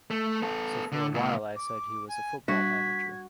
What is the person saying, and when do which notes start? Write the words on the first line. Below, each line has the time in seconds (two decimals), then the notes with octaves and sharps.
So for a while I said he was a football manager.
0.10 A3
0.42 B3 A4
0.92 D3
1.14 C#2 A#2
1.55 D6
2.08 G#5
2.48 G3 D4 F#4 G#6 B6